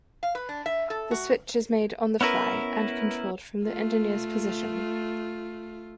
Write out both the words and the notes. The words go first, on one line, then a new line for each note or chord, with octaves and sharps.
The switch is made "on the fly", and controlled from the engineer's position.
F5
B4
D4
E5
A4
F#4
B3 C#4 E4 A#4 B4
A3 F4